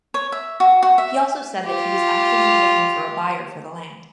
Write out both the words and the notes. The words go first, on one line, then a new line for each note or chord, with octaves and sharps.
He also said that he was actively looking for a buyer for the land.
C#5
E5
F#4
F#4
E5
F4 G4